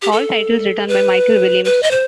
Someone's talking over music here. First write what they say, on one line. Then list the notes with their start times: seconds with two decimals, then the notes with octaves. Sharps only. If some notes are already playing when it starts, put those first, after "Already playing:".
All titles written by Michael Williams.
0.02 G4
0.12 A4
0.88 B4
1.65 B4
1.83 D#5
1.91 C5